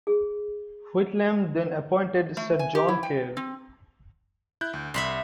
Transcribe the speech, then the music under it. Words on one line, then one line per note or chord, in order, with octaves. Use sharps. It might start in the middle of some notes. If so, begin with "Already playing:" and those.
Whitlam then appointed Sir John Kerr.
G#4
A3
G#5
G4
E4
G5
C4
E4 F#6 G6
D2
C2 E5 B5 C6